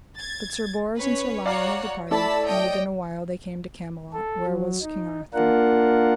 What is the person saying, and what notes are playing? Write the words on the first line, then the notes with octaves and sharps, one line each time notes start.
But Sir Bors and Sir Lionel departed, and within a while they came to Camelot, where was King Arthur.
G#6 A6
C#4 B4 C#5
F#4 C#5 D5 F5 F#5 A#5
A3 E4 A4 D5 A5 B5 E6
C#5 D#5 G5
A4
F#3
D#4
A#3 D4 F4 A#4 F#5